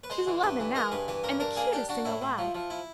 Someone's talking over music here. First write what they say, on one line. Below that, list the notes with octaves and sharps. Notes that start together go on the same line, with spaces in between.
She's eleven now, and the cutest thing alive.
B4
G#3 C5
E3
G2 B4
E3
G#3 A#4
G2 B4
E3 B4
G2 A#4
D4 A#4
A#3 G#4
D4 G4
D4 F#4
A2 E4
A2
F3
F3
E4